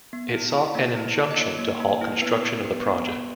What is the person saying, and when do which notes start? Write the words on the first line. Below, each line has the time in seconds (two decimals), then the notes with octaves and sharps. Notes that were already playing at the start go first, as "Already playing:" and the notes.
It sought an injunction to halt construction of the project.
0.13 B3
0.34 E4
0.54 G#4
0.75 A#3
0.96 E4
1.17 E4
1.31 D#5
1.38 A#3 C#5
1.59 A#3
1.80 A#3
2.01 E4
2.22 B3 B4
2.31 A#4
2.41 B3 B4
2.64 B3
2.85 B3
3.06 B3